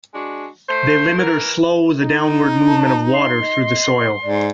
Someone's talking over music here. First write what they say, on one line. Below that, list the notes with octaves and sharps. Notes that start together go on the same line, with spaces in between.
They limit or slow the downward movement of water through the soil.
G#3 D4 F#4
A3 C5
E3 A#4
D#4
A5
D#5 C6
D#5
G#2 D5